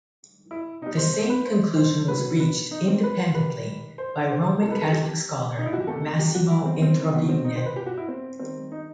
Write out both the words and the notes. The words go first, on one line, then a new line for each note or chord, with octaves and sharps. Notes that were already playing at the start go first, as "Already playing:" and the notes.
The same conclusion was reached independently by Roman Catholic scholar Massimo Introvigne.
E4
B2 G3 D#4
C5
C5
B4
C5
C5
A2 F#3 A3 B4
B4
D#4
C4
B4
D#3 G3 B4
C5
C5
C3 E3 G3 A4
B4
A4
G4
D#4
E4
F#4
G4
C3 D#3 A3 A4
G4
F#4
E4
C4
C4
B2 F#3 A3 B3
C4
D#4
C5
B4
G4
F#4
E4
C4
D#3 G3 C4
D#4